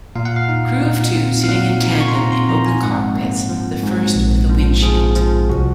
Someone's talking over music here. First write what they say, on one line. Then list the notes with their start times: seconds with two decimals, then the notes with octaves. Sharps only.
Crew of two, sitting in tandem in open cockpits, the first with a windshield.
0.16 A#2 F5
0.25 F#5
0.36 F5
0.49 D#4
0.82 A#2
1.15 C4
1.44 F5
1.48 A#2 F#5
1.82 D#4
2.01 C#6
2.08 C6
2.15 C4 A#5
2.32 C6
2.49 F3 A#5
2.66 G#5
2.83 G#2 F#5
3.15 A#3
3.49 F3
3.82 G#2
4.16 A#1
4.50 F3
4.82 F3 G#4
5.16 F3
5.49 C2 F#4